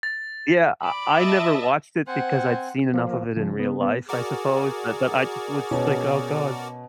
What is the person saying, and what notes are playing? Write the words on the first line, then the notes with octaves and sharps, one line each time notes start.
Yeah. I I never watched it because I'd seen enough of it in real life, I suppose. But but I just would s like, "Oh god."
A6
D5 B5
D#5 E5 A5
C4 C5 F#5 G#5
F3 A#3
C#3 F3
B3
B3
F#4 G#4 A#4 D5
B2 C#4